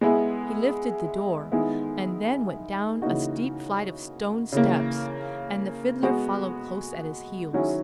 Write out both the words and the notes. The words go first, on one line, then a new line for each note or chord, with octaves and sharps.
He lifted the door, and then went down a steep flight of stone steps, and the Fiddler followed close at his heels.
G#3 B3 E4 G#4
D#3 G#3 B3 E4 G#4
C#3 E3 A#3 D#4 F#4
C#3 E3 A#3
G#3 B3 F#4
D#3 F#3 C#4 E4 G#4